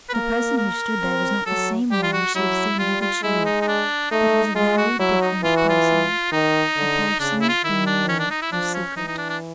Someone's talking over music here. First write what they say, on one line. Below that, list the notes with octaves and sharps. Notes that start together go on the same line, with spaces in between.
The person who stood there was not the same one she had seen hitherto, but was a very different person--a person who knew her secret.
B4
A#3 A#4
A#4
C4
F#3 A4
G3 G4
F4
F#4
F#3 E4
G3 F4
F4
G#3 E4
D#4
D#4
D4
A3 D#4
G#3 F4
F#4
F#3 E4
D#4
E3 F4
F#4
F4
D#3 D#4
D3
C#3 D4
E4
F4
D#3 E4
D4
C#4
D4
D#4
E4
F3 D4
C#4
E3 D#4
D#4
D4
D4